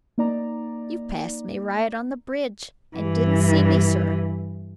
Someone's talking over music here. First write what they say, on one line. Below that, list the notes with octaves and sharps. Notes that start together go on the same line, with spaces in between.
You passed me right on the bridge, and didn't see me, sir.
A#3 D#4 D5 A#5
G2 E3